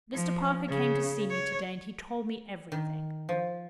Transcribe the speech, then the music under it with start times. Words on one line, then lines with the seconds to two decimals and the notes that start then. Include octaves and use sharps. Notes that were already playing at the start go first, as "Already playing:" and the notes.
"Mr. Parker came to see me to-day, and he told me everything."
0.13 F3
0.68 C#3
1.29 C#5
2.72 D#3
3.29 F3